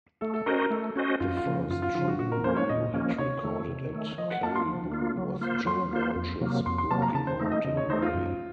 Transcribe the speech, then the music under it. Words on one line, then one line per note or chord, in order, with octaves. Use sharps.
The first true radio hit recorded at Caribou was Joe Walsh's "Rocky Mountain Way".
A3 A4
A4
C#4 F#4 A#4 C5 D#5
A#4
A3 A4
C#4 F#4 C5 D#5
F#2 F4
F4
C#3 F3
F#2 F4
F4
C#3 F3 F4
F#4
A#2 F#4
A#4
F3 A#3 C#4 C5
C#5
A#2 D#5
F3 A#3 C#4
C3 C#5
D#3 A3
C3
D#3 A3
F3 D#5
F#5
A#3 F4 A5
C6
F3
A#3 F4
F#3
A#3 F4 C5
F#3 C6
A#3 F4 C5
F2
C3 F#3 A#3
F2 C6
C6
C3 F#3 A#3 A5
A#5
C#3 A5
C5
A3 D#4
D#5
C#3 D#5
C#5
A3 D#4 C5
F4
F#2